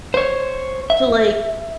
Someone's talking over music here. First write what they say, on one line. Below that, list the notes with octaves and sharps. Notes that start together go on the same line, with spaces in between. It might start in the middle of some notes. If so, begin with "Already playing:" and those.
to, like
C5 C#5
E5